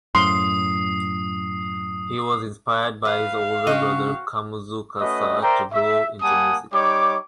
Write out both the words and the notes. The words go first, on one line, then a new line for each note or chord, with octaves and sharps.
He was inspired by his older brother Kamuzu Kassa to go into music.
F#2 A2 C6 D#6 C7
B4 F5
C#3 C#4 D4 F#4 C5 D#5 G5
A3 C#4 F#4 B4 D#5
A#4 C5 D5 E5 G5 A#5
E5
G3 A#3 F#5 G#5 A5 D#6
G3 D#4 C#5 D6